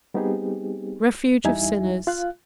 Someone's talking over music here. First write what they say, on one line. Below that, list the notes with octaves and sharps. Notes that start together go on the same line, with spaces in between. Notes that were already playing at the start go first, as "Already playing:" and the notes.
Refuge of sinners.
G3 B3 C4 D#4 G4 G#4
E2 G3 D#4 E4 E5 G#5
F4 F5 F#6